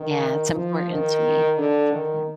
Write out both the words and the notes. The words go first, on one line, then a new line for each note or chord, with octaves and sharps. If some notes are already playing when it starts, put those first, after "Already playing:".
Yeah, it's important to me, it's important.
Already playing: D#3
F3
D#3
D3
D#3